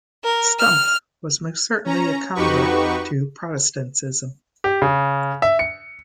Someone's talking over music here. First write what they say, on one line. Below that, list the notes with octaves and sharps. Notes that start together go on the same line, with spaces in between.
Stumpp was most certainly a convert to Protestantism.
A#4
F6
C#4 A#5
F2 D#4 F#4 G4 B4 C#6
G4
C#3
E5
C#7